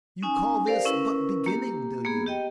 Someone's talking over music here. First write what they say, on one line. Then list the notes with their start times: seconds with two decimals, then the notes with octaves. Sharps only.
You call this but beginning, do you?
0.23 C#4 D#4 G#5
0.66 G4 A#4 C5 D5 F5
0.86 C#4 E4 A#4 B4
1.46 A#3 G4
2.05 A#3 B3 G#4
2.26 G4 D#5 G5